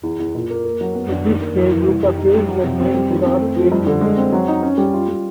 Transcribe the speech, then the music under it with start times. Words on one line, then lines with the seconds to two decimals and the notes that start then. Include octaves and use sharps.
To this day Yucca bears the name Gerard gave it.
0.03 E2
0.19 E2
0.35 A#2
0.50 A#3
0.64 A#3
0.81 F#3
0.95 B3
1.11 D4
1.26 D#2
1.42 A#3
1.56 E3
1.72 E3
1.88 C2
2.03 G3
2.18 D#4
2.34 G3
2.49 F#3
2.63 C3
2.80 C4
2.94 G3
3.10 D#2
3.26 C4
3.40 A3
3.56 F3
3.72 G2
3.87 D3
4.01 G#3
4.17 C4
4.32 F#3
4.48 D#4
4.63 C#4
4.78 G3
4.94 F4
5.08 G3